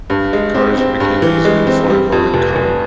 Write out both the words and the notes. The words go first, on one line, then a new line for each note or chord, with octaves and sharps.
Cars became easily affordable and common.
G2
G#3
C4
C4
G2
E3
G#3
C4
G3
F2
F1
F1